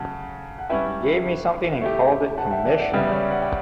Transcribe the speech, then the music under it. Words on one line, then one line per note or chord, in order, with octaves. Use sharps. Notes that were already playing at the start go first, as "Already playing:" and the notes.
He gave me something and called it commission.
Already playing: C#3 F#3 A3 F#5 A5
F#5
G3 C#4 E4 B4 E5 G5
A3 E4 G4
F#5 A5
E5 G5
D5 F#5
D5 F#5
C#3 G3 B3 E5 G5
D5
C#5 E5
F#5
G5